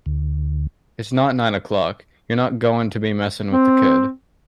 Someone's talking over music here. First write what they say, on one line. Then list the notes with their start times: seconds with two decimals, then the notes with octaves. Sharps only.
It's not nine o'clock... You're not goin' to be messin' with the kid'.
0.06 D2
3.51 C4